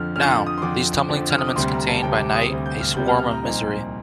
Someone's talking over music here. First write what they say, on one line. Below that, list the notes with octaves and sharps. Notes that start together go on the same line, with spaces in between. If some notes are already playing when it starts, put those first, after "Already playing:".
Now, these tumbling tenements contain, by night, a swarm of misery.
Already playing: F2 D3 F3 F6
F2 D3 F3 F6
D#6
C6
F2 D3 F3 D6
F2 D3 F3
F6
D#6
D6
D2 C3 G3 C4 C6
A#5
A5
D2 C3 G3 C4 G5
D6
D#6
D2 C3 G3 C4
G6
F6
D2 C3 G3 C4 G6
F6
F6
A#5
C2 A#2 F3 C4 D#4